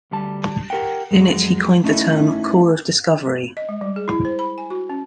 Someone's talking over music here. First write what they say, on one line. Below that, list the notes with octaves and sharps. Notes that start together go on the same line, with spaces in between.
In it, he coined the term "Corps of Discovery".
D2 G3 A5
G4 A#4 F#5 G5
F2 F#3 G#3
A3 C#4 D#4 E4
D#5
G#3
G3
G#4
E4
C5
B5
G#5
F#4
C#4